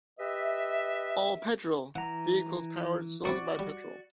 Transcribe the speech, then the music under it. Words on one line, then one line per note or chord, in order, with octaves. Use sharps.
All Petrol - Vehicles powered solely by petrol.
G4 B4 D#5 E5
E3 F#5 A#5
B2 C4 E4 F#4 D5 C#6
G3